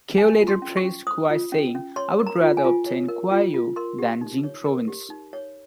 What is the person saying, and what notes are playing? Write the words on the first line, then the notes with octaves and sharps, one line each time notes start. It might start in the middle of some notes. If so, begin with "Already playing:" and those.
Cao later praised Kuai, saying, I would rather obtain Kuai Yue than Jing Province.
C5 G#5
F4
C6
C#4
C#6
C#4
C5 D#6
F4
C#4
C#4
C#5 C6
A#4
A#5
F4
G#5
F4
C#5
A#4
F4
F4
A#4 C6
G4
D#4
C#5
A#4
G4
D#4
C#5